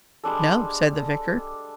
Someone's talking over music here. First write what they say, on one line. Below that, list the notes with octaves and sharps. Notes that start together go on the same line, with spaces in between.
"No," said the vicar.
G3 G#3 D4 A4